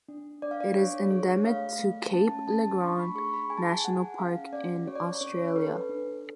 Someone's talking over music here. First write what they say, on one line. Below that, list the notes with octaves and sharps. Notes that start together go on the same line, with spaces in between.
It is endemic to Cape Le Grand National Park in Australia.
D4
D4 D5
F5
D5
D4 C#5
G#4 C#5
A3 F5
A3
C#4 A5
A3 A5
D4 C#6
B5
G#4 C#6
B5
G#4 G#5
A5
G#5
G#5
G#4 F#5
C#4 F5
C#4 D5
F#4 C#5
D5
C#5
C#4 C#5
A4 B4
D4